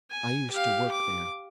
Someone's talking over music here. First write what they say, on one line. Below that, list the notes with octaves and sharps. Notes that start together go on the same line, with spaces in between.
"I used to work there."
G#5
G4 F5
D6